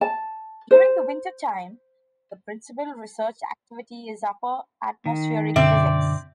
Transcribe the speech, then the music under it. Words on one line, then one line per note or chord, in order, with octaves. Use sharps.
During the winter time, the principal research activity is Upper Atmospheric Physics.
A5
C5
D#3
F#2 B2 D3 C4 D5 E5